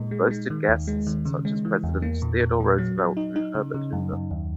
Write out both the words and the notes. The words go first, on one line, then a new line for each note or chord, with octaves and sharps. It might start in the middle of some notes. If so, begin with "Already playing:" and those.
It boasted guests such as Presidents Theodore Roosevelt and Herbert Hoover.
Already playing: A#2 G#3 D#4
G#3
G#3
D#3
D#2
G#3
D#3
C#3
G#3
E3
E2
A#3
A#2
A#2
A#2
F#3
F#3
D#4
D#4
C#3
C#3
F#2
F#2
D#2